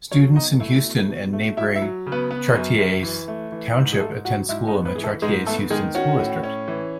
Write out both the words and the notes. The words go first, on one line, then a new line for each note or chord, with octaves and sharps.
Students in Houston and neighboring Chartiers Township attend school in the Chartiers-Houston School District.
F#3 C#4 C#5
B2 D#4 D#5
A3 E4 E5
B2
B2
A3
F#3 E4 E5
E4 E5
F#3
C#3
B3 B4
B3
F#2
F#2
E3
A3
E3
G#2
G#4
G#2 A3 A4
F#3 F#4 F#5
G#2 E4 E5
D#4 D#5
B3
B3 B4
E3 G#4
A3 A4
G#2 G#3 G#4
A3 B3 A4
D#3 G#3 G#4
C#4 F#4
A2
C#4
E3